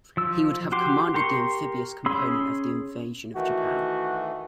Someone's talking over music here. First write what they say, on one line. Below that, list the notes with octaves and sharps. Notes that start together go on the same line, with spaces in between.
He would have commanded the amphibious component of the invasion of Japan.
F3 E6
F#4 G4 C6 D6
G4 A#4 C6 C#6
C#4 G#4 B5 C6 E6
D#3 E3 A3 F#4